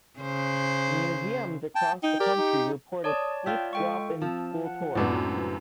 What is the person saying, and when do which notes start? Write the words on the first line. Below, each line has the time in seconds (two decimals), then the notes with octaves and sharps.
Museums across the country report a steep drop in school tours.
0.20 C#3 C5
1.75 G5 A5
2.03 D#4 G5
2.20 G4 A#4 D5
2.38 D#4
3.04 C#5 D5 A5 D#6
3.46 F4 E5 G5
3.73 G#3 A4 G5 C#6
4.22 F3 C4 A5
4.65 F#5
4.95 C#2 F#2 A2 B3 D4 C5